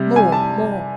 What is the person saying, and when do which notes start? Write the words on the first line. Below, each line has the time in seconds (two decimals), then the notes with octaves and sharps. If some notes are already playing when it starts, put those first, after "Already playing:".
More! more!
Already playing: C3 G3
0.16 G#5
0.32 A5